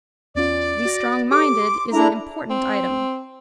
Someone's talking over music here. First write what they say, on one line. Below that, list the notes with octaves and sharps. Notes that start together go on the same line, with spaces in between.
To be strong-minded is an important item.
E2 C#4 F4 D5
F#4 A6 A#6
G4 A4 C#5 D6
C6
D4 E4 G#4 A4 E5 A#5
C4